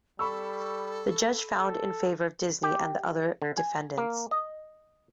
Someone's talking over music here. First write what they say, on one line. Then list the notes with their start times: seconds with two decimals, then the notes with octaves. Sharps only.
The judge found in favor of Disney and the other defendants.
0.19 G3 A4 B5 C#6 E6
1.59 A4
2.63 G4
3.42 D3
3.57 G#5
3.98 A#3
4.31 D#5